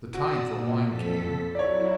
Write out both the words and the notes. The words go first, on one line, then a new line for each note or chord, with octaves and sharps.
The time for wine came.
F#4 D5 D#6 E6
A#2
F2 A4 B6
F#3 E4 C#5 D5